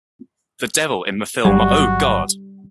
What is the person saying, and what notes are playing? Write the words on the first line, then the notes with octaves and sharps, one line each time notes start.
The Devil in the film Oh, God!
G1 F#3 G3 F#4